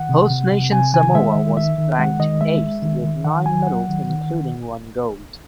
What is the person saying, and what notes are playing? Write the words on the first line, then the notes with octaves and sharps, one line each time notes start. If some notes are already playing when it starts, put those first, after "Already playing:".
Host nation Samoa was ranked eighth with nine medals including one gold.
Already playing: D#3 F#5
C3
C3
C3
C3 G#5
D#3 G#5
G#3 E5
D#3
D#3 E5
D#3
G#3 F#5
D#3 D#5
G#3 E5
G#3
D#3
D#3
D#3 F#5
F#3 G#5
F#3 F#5
D#3
D#3